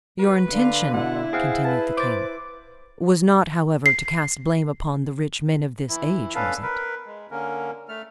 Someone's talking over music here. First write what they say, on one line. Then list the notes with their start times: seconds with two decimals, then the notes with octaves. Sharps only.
"Your intention," continued the king, "was not, however, to cast blame upon the rich men of this age, was it?"
0.20 F#4 B4
0.51 D3 F5
0.94 B2 E4 F#5
1.33 C4 G#4 F5 F#5
1.65 B4 A5
1.97 C5 D6 A6
3.86 C7
5.89 E3 E4
6.35 B3 C#4 D4 A4 B4 F5
6.62 A#4 B4
7.06 G#3
7.31 D3 A#3 C#4 A#4
7.89 A3 F6